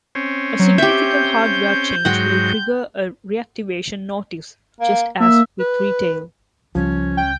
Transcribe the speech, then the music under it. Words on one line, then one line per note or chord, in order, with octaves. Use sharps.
A significant hardware change will trigger a reactivation notice, just as with retail.
C4 C#4
F#3
G4 E5 G6
G#2 F#3 F#5 G5 C6
A#3
A#3 E5
B4
C#2 F3 G3 C#4
G5